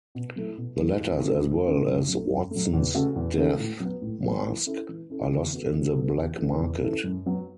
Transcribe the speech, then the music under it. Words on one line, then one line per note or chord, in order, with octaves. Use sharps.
The letters as well as Watson's death mask are lost in the black market.
B2
F#3 A3 E4
B2
F#3 A3 E4
A2
A3 C#4 A4
A2
A3 C#4 A4
F#2
F#3 A3
F#2
A3
F#3
E2
C#3 A3 F#4 A4
E2
C#3 A3 F#4 A4
A2
F#3 B3
A2
F#3 B3
E3
C#4 E4 A4
E3
C#4 E4 A4
E3
B3 F#4 A4
E3
B3 F#4 A4
E2
E3 C#4 E4 A4
E2
E3 C#4 E4 A4
F#2
F#3 B3